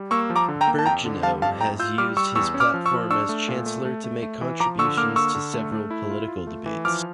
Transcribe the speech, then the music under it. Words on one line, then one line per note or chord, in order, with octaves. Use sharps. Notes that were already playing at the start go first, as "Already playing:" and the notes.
Birgeneau has used his platform as Chancellor to make contributions to several political debates.
Already playing: G3
A#3 C#6 E6
F3
A#5 D6
D3
G5 A#5
A#3
A5
F2 G5 A#5
D3
G3 F5 A5
F2 F5 A5
A2 G5 A#5
F4 E6 G6
G3 D6 F6
G3 C#6 E6
E2 C#6 E6
C#4
D6 F6
F3
C#6 E6
F3
D4 C#6 E6
A3
A#2
A3
A3
A3
A3
E3
F3 A#5 D6
D3 C#6 E6
A#3 D6 F6
D3 C#6 E6
D3
A3
A3
E4
F4
F4
A3
E3
F3 D6 F6